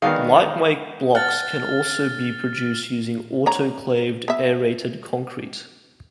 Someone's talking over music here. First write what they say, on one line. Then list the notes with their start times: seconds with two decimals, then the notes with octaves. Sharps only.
Lightweight blocks can also be produced using autoclaved aerated concrete.
0.02 D#3 G#3 B3 D4 F#4 F5
1.15 F#5 A5 F6 A6
3.46 D3 C#5 A#5
4.28 B3 E5